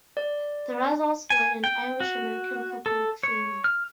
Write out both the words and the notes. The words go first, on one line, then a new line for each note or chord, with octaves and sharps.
The Russells were an Irish-American Catholic family.
D5
G#5
G5
F#4
A4
C#5
F6